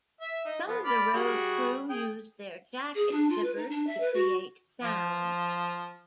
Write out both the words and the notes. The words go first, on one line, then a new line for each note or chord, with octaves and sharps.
Some of the road crew used their jacket zippers to create sound.
E5
D#4
F3 B3
D5 B5 F6
G3 F#4 G#4
G#4 G5
G#4
D4
F4
B4
D#4
D4
E5
B4
F#4
F3